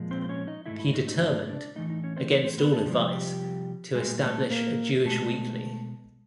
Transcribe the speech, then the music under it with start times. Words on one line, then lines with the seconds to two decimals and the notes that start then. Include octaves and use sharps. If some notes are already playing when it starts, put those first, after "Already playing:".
He determined, against all advice, to establish a Jewish weekly.
Already playing: A#2 F3 G#3
0.11 C4 C5
0.22 C5
0.29 C#4 C#5
0.47 D#4 D#5
0.66 G#2 E3 A3 E4 E5
0.79 E4 E5
0.93 D#4 D#5
1.07 D#4 D#5
1.21 D4 D5
1.49 D4 D5
1.76 A2 E3 A3 D#4 D#5
1.90 D#4 D#5
2.04 C#4 C#5
2.17 C4 C5
2.31 C4 C5
2.44 C4 C5
2.58 B3 B4
2.72 A3 A4
2.85 C3 F3 G3 G#3 G4
3.13 G3 G4
3.95 A#2 G3 G#3 G#4
4.23 A3 A4
4.51 A#3 A#4
5.05 B2 G#3 A3 A4